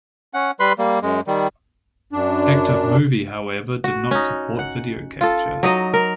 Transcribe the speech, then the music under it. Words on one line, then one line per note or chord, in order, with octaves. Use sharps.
ActiveMovie, however, did not support video capture.
C#4 F#5
G3 B4 B5 C6
G3 A#3
F#2 G#3
D#3 G3
F#2 D4
F#4
C#4 D#4
F#5
F4 A4
F#3 D#4 D#5
A#4